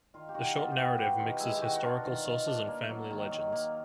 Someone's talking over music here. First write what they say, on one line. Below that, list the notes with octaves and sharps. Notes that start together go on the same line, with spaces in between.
The short narrative mixes historical sources and family legends.
D#3 F4
G4
D#3 F#4
B3 F4
G4
B3 F#4
B3 G4
D#3 F4
G#3 E4
D#3 F#4 G4
F#4
D4 F4
D#3
D#3
D4
A#3
F#3
D#3
D#3
A#3